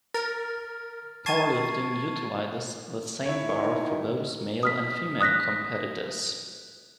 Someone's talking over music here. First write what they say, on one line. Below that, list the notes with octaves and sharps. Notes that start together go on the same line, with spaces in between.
Powerlifting utilizes the same bar for both male and female competitors.
A#4 F6 A6
A5 C#6 G#6 A6 C7 D#7
E4 C#5
D#3
D#6 F6 B6
D#6 F#6 A#6 B6